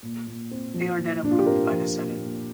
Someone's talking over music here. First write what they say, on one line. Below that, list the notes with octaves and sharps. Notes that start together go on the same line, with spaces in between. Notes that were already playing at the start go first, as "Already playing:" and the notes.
They are then approved by the Senate.
A#2
A#2
C4
F3
A#2
A#2 D4
F4
G4
C4 A#4
F3
A#2
A#2